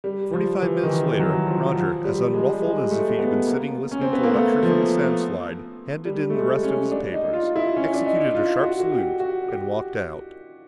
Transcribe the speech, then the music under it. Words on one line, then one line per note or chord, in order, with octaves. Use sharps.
Forty-five minutes later, Roger, as unruffled as if he had been sitting listening to a lecture from a sound slide, handed in the rest of his papers, executed a sharp salute and walked out.
G3
F3
E3
D#3
E3
F#3
F3
F3
G3
G#3
G3
G#3
A3
B3
A#3
C#4
C4
B3
A#3
A3
F3
G3
A3
G#3
C#4
D4
D#4
F4
E4
C#4
D4
D#4
F4
F#4
F#4
G4
F#4
G4